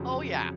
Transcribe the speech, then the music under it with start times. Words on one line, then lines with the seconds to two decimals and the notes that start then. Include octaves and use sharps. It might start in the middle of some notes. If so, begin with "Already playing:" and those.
Oh, yeah.
Already playing: F2 C#3 F#3